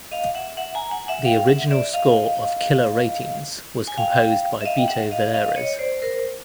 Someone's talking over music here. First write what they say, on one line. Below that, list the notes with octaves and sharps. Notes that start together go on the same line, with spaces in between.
The original score of "Killer Ratings" was composed by Beto Villares.
D#5 F5
E5 F#5
E5 F#5
G#5 A#5
F#5 G#5
E5 F#5
F5 G5
E5 F#5
D5 E5
D#5 F5
G#5
F5 G5
E5
D#5 F5
G5
E5 F#5
D#5 F5
D#5 F5
C#5 D#5
C5 D5
A#4 C5